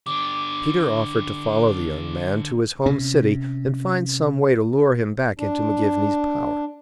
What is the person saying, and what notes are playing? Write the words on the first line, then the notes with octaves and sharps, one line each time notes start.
Peter offered to follow the young man to his home city, and find some way to lure him back into McGivney's power.
D3 G4 D6
C3 C4 C#4
D4